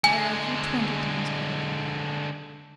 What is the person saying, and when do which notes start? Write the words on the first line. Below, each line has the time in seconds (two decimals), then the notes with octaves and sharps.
I like you twenty times better than Hamlet.'
0.04 D3 G#3 G#5